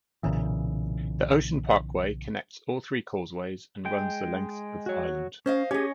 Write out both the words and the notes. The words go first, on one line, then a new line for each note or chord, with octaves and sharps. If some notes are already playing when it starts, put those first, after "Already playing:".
The Ocean Parkway connects all three causeways and runs the length of the island.
B1 A#2 C#3 E3
G#3 G5
F#4 C#5
C#4 C5 D#5 F5
C#4 G4 G#4 C#5 D#5